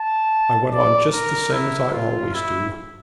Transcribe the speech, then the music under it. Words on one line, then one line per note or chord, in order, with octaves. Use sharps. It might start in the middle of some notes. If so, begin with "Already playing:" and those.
I went on just the same as I always do.
Already playing: A5
D5
A#4
E4
F4
E4